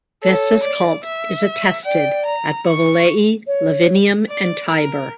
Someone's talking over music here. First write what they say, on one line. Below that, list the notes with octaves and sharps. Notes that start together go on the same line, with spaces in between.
Vesta's cult is attested at Bovillae, Lavinium and Tibur.
A4 C#5
D5
E5
D5 G5
A#5
C#6
C#5
D5
A#4